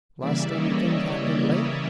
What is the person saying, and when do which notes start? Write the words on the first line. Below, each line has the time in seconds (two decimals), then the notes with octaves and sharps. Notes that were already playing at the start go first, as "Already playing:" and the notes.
"Lost anything, Captain Blake?"
0.20 C#3 E3 G3 A#3 D5 E5
0.51 C#5 D#5
0.82 C#5 D#5